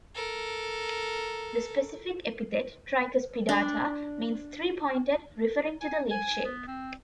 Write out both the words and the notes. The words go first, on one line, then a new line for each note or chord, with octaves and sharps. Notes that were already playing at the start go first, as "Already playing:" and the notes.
The specific epithet "tricuspidata" means three-pointed, referring to the leaf shape.
A4 A#4
D4
G#5
G#5
B3
C4